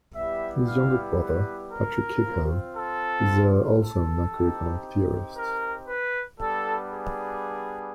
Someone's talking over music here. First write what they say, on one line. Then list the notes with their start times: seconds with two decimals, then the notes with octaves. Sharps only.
His younger brother, Patrick Kehoe, is also a macroeconomic theorist.
0.14 G3 B3 E4 G4 E5
0.65 F5
1.17 B4
1.71 A#4
2.22 C4 F4
2.74 A4
3.78 A4
4.30 C4 D#4 G4
5.35 A#4
5.87 B4
6.38 G3 B3 D4 A4
6.91 G#4